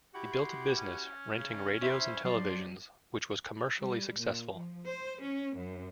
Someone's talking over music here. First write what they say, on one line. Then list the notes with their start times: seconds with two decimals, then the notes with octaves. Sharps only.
He built a business renting radios and televisions, which was commercially successful.
0.13 E4 F#4 G4
0.32 C6
0.78 C#4
1.36 C#3
1.82 E2 E4 C5 E5 C#6
2.25 F2 F3 F#3 D5 C6
3.78 G3
4.18 A#2
4.53 F3
4.86 C5
5.21 C#4
5.57 F#2